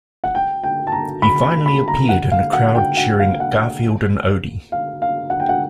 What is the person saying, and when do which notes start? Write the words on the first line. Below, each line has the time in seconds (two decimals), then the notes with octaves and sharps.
He finally appeared in a crowd cheering Garfield and Odie.
0.24 F#5
0.35 G5
0.64 G5
0.87 A5
0.92 A#5
1.22 B5
1.43 B5
1.66 B5
1.88 A#5
2.09 F#5
2.32 F5
2.53 F#5
2.75 G5
2.97 F#5
3.19 F5
3.40 F#5
4.72 F5
5.02 F5
5.30 F#5
5.40 G5
5.49 F#5